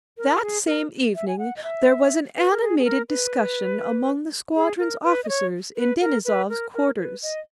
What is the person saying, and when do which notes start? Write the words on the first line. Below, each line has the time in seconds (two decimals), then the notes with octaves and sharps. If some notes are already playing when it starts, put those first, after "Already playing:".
That same evening there was an animated discussion among the squadron's officers in Denisov's quarters.
0.18 A#4
0.41 G#4
0.66 A#4
1.15 E5
1.28 G#5
1.39 F#5
1.57 D#5
1.64 E5
2.36 B4
2.51 A#4
2.61 G#4
2.79 G#4
2.85 A#4
3.09 B4
4.56 G#4
4.79 A#4
5.04 B4
5.24 D#5
5.29 C#5
5.77 B4
6.01 A#4
6.25 B4
6.50 A#4
6.74 A#4
6.99 B4
7.23 D#5